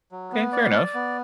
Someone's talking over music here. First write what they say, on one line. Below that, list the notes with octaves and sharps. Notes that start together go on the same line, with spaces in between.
Okay. Fair enough.
F#3
B3
D5
D5
B3